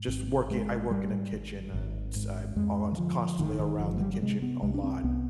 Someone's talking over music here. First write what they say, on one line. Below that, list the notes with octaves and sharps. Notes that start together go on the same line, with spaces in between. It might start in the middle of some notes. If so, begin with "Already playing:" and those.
just work i I work in a kitchen and s I'm ont constantly around the kitchen a lot
Already playing: G#2
G#1 C4
G#2 G#3
G#2 G3
G#1
G#1
G#2
F2 G#3
D#3
D3 F3
G1 D#3
D#3
G1 F3
G#3
G3
G3
C3 G#3
B3
C2 G#3
D4
C4
C2 B3